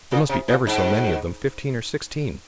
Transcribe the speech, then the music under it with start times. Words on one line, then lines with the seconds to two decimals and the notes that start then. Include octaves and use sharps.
There must be ever so many of them, fifteen or sixteen.
0.12 A#2
0.29 C3
0.48 A#2
0.67 G#2